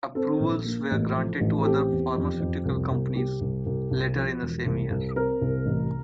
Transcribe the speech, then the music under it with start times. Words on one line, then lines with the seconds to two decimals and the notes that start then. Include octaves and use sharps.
Approvals were granted to other pharmaceutical companies later in the same year.
0.15 C4 A4
0.40 A#1
0.65 A#3
0.91 A1
1.16 F3
1.40 A1
1.61 A4
1.65 C4 G4
1.91 E2
2.16 F2
2.40 F2
2.65 C2
2.91 C2
3.15 G3 G4
3.41 C2
3.66 C2
3.91 C2
4.15 F3
4.41 E1
4.66 C2
4.91 C2
5.16 C4 A#4
5.41 C2
5.66 A1